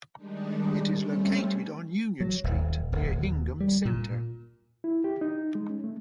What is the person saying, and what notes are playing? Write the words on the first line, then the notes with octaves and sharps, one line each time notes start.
It is located on Union Street near Hingham Center.
D#3 G3 G#3 D4 D#4
G3 A3 C4 C#4
F#3
D#1
D1
D#2
G3
A#2
E4
G4
D#4
G#3
C#4
A3